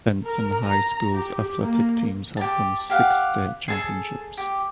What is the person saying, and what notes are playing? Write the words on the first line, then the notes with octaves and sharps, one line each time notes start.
Benson High School's athletic teams have won six state championships.
A#4
A#5
G4
A#3
G4 A5
G4 F5 F#5
G#4 A4 A5
G4